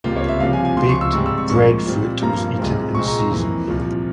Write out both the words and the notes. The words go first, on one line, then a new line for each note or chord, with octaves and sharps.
Baked breadfruit was eaten in season.
C#2 C3 G3 A#3 F4
C#5
E5
C2 C3 F3 F5
G#5
G#5
C#2 C3 F3 C6
C#6
E6
G#2 G3 C4 C#6
E6
C#6
G#2 F3 A#3 C#6
A#2 G3 C4
G2 F3 A#3 A#5
C2 A#2 G#3 C4
A#2 G#3 C4 C#6
A#5
A#5
F2 E3 A#3
C2 A#2 F3